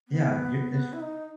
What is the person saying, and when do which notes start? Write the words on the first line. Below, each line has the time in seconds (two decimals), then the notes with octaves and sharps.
Yeah, you ish
0.08 B3
0.93 E4
1.00 D#4